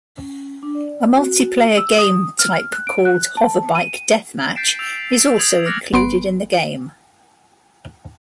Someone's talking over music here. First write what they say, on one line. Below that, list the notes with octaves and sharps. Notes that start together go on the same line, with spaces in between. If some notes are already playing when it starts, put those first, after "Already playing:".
A multiplayer game type called Hoverbike deathmatch is also included in the game.
C#4
D4
D5
C4
F#4
E6
D#6
F6
F#6
D7
F#6
A5
D#7
G6 A6 B6 C7 D7 E7
E6 G6 A6 F7
D#6 G#6 F7 F#7
D6 F6 F#6 A6 A#6 C#7
G1 B3 C6 D7